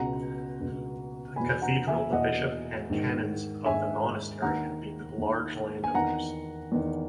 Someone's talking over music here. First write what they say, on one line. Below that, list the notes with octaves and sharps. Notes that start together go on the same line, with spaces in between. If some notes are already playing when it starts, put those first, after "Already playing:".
The cathedral, the bishop and canons of the monastery had been large landowners.
Already playing: C#2 B2 F#5 A#5
C#2 B2
E2 B2 G#5 B5
F#5 A#5
E5 G#5
E2 B2 D#5 F#5
G#2 D#3
G#2 D#3 E5 G#5
D#2 D#3 F#5 A#5
D#2 D#3
G#5
E2 D#3 F#5 A#5
E2 D#3